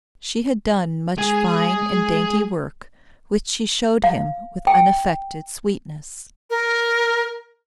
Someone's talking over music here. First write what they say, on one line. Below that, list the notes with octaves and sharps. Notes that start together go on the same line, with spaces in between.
She had done much fine and dainty work which she showed him with unaffected sweetness.
G#3 G#4 G#5
F5
G5
A#4